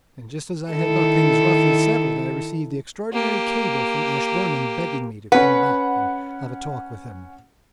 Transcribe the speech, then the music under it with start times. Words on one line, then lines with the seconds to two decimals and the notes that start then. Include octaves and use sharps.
And just as I had got things roughly settled I received the extraordinary cable from Ashburnham begging me to come back and have a talk with him.
0.71 D#3 E4 A4
3.13 A#3 G4
5.32 C#4 B4 F#5